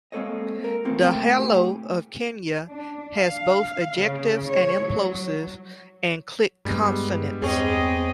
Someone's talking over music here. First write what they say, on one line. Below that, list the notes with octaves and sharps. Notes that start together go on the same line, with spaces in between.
Dahalo of Kenya, has both ejectives and implosives and click consonants.
G#3 A#3 C4 A4 C#5 D#5
A#4
A3 A#3 C4 F4 A4 A#4
C3 A3 G5
A2 G4 G#4
D4
F5
C#3
C#5
F#3
G2 G3 G#3 B3
E2 C4 G#4 C#5 D#5